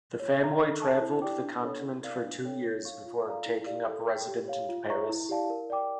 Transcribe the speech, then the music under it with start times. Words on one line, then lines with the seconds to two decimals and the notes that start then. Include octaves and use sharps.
The family traveled the continent for two years before taking up resident in Paris.
0.20 C#5
0.39 E5 A#5
0.60 A4
0.80 E5 A5 C#6
1.01 E4
1.22 G4 D5 G5 D6
1.42 D4
1.62 A4 C#5
1.82 E4
2.02 A#4 D5 F5
2.23 D4
2.44 A4 C#5 G5
2.64 C#5
2.85 F5 C#6
3.06 F4
3.26 A4 D5 F5 A#5
3.46 E4
3.66 G4 A#4 D5 F5
3.87 A4
4.07 C#5 G5
4.27 G4
4.48 C#5 F5
4.69 F4
4.89 C#5 E5 A#5 C#6
5.10 E4
5.29 G4 D5 F5 A5
5.50 A#4
5.70 D5 G5 D6